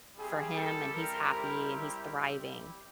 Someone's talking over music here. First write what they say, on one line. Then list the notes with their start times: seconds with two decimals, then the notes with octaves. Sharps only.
for him, and he's happy, and he's thriving,
0.17 G3 C4 E4 G4 G#4
0.54 A4
0.92 A#4